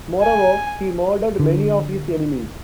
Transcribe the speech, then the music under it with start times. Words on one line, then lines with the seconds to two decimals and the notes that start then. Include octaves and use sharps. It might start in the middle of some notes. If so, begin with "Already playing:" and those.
Moreover, he murdered many of his enemies.
0.22 G#5
1.40 D3